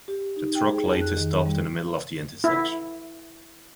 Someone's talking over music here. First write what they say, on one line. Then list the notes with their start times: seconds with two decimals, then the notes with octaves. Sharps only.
The truck later stopped in the middle of the intersection.
0.08 G4
0.36 D#4
0.55 G5
0.70 G#4
0.85 F2
1.01 F#6
1.17 D#3
1.46 G3
2.44 E4